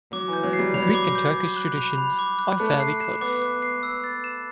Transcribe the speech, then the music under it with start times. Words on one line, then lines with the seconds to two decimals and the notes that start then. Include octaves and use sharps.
The Greek and Turkish traditions are fairly close.
0.12 F#3 D6
0.28 E3
0.33 G6
0.43 F#3
0.53 C7
0.59 G3
0.74 F#3 B5
0.95 D6
1.15 G6
1.36 D6
1.56 F#6
1.77 B5
1.98 B5
2.19 D6
2.39 F#6
2.60 A3 F#6
2.80 C7
3.01 E7
3.21 B3 D6
3.42 F#6
3.62 C7
3.83 E6
4.04 A6
4.24 E7